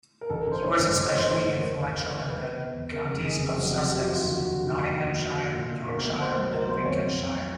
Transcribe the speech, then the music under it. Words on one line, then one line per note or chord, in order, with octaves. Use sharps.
He was especially influential in the counties of Sussex, Nottinghamshire, Yorkshire and Lincolnshire.
A#4
A1 A4
A#4
A1
C5
G2 C#5
A1
A1 D#5
C#5
A1 C5
G2 C5
A1
E1 A#4
E1
E1
E1
E1 B4
E1
E2
E1
C#3 A#4
F1
C#3 G#4
F1
F#3
F2
F2 G4
F#4
F1
F4
D#2 F#4
F4
D3
F#4
D#2
D3
D#2
D3
D3 F#4
D3
A#2 F4
A#2
B1 A#4
A3
A3 C5
F#3
B1 A#4
F#3 C5
F2 C#5
F2
F2